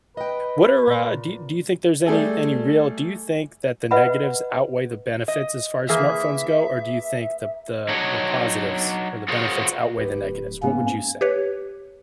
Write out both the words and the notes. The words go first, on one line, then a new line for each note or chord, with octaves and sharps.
What are, uh do y do you think there's any any real do you think that the negatives outweigh the benefits as far as smartphones go, or do you think the the the positives or the benefits outweigh the negatives? What would you say?
B4 D#5 G5
A#2
G3 A3 G#4 A4
B4 D#5 E5 F#5 B5
D#5
E3 A#3 G#4 E5
F#3 D4 D#4 C#5
F4 F#4 G#4 A#4 C5 C#5
D1 G4 B4
G#2 A#3 B3 C#4
G4 B4 C#5